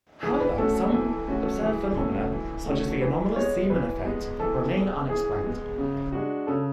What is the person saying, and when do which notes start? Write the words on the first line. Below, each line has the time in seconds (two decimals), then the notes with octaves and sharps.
However some observed phenomena such as the anomalous Zeeman effect remain unexplained.
0.23 E3 G#4
0.40 B4
0.58 A3 C#4 F#4 A4
0.75 A4
0.92 E3 A4
1.11 A4
1.28 A3 C#4 F#4
1.44 A4
1.62 E3 G#4
1.96 A3 C#4 F#4 A4
2.32 E3
2.66 A3 C#4 F#4
3.01 E3 B4
3.36 G#3 B3 C#5
3.70 E3 B4
4.05 G#3 B3
4.40 E3 A4
4.74 G#3 B3
5.09 E3 G#4
5.43 G#3 B3
5.78 C#3
6.12 G#3 D4 F#4
6.47 C#3 A4